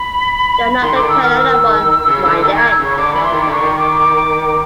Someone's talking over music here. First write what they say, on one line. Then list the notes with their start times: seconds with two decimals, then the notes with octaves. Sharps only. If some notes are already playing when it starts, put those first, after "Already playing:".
You are not to tell any one; mind that.
Already playing: B5
0.81 D#3 C6
0.92 D3 D6
1.03 D#3
1.09 E6
1.23 F6
1.36 E6
2.08 C#3
2.25 D3
2.43 D#3
2.57 G#6
2.71 E6
2.80 C#3 C#6
2.97 D3 D6
3.14 E3 B5
3.24 C6
3.33 D#3
3.41 D6
3.47 D3 C#6
3.61 D#3
3.79 D6